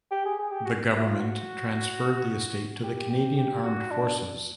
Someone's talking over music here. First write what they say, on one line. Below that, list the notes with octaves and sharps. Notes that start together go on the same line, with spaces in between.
The government transferred the estate to the Canadian Armed Forces.
G4
G#4
G#4
G4
F#4
E4
F4
F#4
G4
G4
G4
F#4
D4